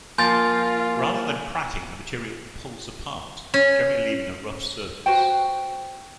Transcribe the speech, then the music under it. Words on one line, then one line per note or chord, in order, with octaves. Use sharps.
Rather than cracking, the material "pulls apart," generally leaving a rough surface.
F3 A#3 F4 G#5 C6 G6 A6
C#4
F#4 B4 C5 G5